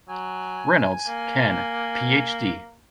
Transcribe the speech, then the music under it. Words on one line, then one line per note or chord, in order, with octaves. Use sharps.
Reynolds, Ken, PhD.
F#3 G#5
A#3